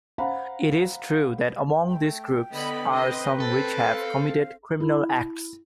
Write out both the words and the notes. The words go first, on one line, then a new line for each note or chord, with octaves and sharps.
It is true that among these groups are some which have committed criminal acts.
C5 F5 F#5 A#5 B5
A3 G5
D3 B3 D#5 B5
C4 B4 D#5
C4 A4
F5
E4